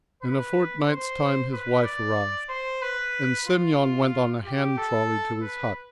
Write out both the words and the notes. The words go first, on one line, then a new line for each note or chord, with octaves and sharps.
In a fortnight's time his wife arrived, and Semyon went on a hand-trolley to his hut.
B4
C5
B4
D5
C5
B4
F4
G4
A4
B4